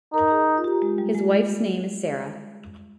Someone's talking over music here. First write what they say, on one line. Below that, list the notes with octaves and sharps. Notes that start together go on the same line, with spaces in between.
His wife's name is Sarah.
D#4 A#4
G#4
F4
G4
G#3
G3
G#3